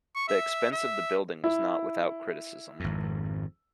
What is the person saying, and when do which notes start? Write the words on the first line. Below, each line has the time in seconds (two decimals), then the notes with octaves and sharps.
The expense of the building was not without criticism.
0.16 C#6
0.28 E5
0.72 E5
1.44 E4
2.80 G#1 F2